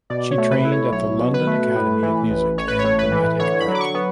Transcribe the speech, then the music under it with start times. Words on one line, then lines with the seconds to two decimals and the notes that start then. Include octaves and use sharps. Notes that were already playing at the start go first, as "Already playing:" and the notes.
She trained at the London Academy of Music and Dramatic Art.
0.10 B2 D5
0.31 C#5
0.38 A3
0.51 B4
0.65 E4
0.72 C#5
0.92 B1 C#5
1.20 B2
1.34 B4
1.47 A3
1.75 A2
2.03 E3
2.30 A1
2.57 A1 C#5
2.68 B4
2.79 C#5
2.84 A2
2.99 B4
3.12 E3
3.39 D3 C#5
3.60 B5
3.68 F#3
3.75 D6
3.81 C#6
3.94 B3